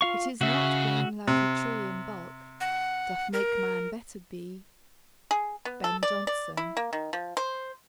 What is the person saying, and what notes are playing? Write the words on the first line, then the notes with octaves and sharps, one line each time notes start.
It is not growing like a tree In bulk, doth make man better be. BEN JONSON.
F4 F5 C#6
C#3 F#4 E5
C3
F#5
A#4
G#4
B3
A4
D5
D5
E4
A#3
D#3
F3
C5